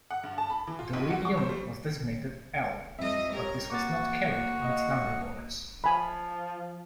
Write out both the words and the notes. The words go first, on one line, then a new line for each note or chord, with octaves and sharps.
The lead unit was designated 'L', but this was not carried on its numberboards.
F#5
G2
A5
B5
E3
F4
B1
F#4
C#6
C5
G3
F2 G3 D#5 E5
G4 A#4 C#5
A#3 F#4 C#6 D6 A6
D#5 F5
F3 G#5 B5